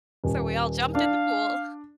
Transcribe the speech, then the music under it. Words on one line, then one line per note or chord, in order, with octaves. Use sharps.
So, we all jumped in the pool.
D#1
D4 F5